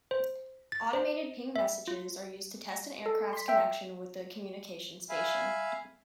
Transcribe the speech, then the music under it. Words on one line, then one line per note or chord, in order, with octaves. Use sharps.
Automated ping messages are used to test an aircraft's connection with the communication station.
C5
A6
C5
E5
F4
A4
C6 B6
E5 G5
E5 F5 G#5 B5